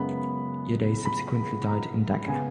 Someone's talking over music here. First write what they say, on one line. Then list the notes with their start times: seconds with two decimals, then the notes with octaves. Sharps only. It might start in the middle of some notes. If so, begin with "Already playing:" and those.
Udai subsequently died in Dhaka.
Already playing: F#2 C#3 G#3 B3 B5
1.05 B5
1.67 A#5
2.28 C#3 G#3 B3 G#5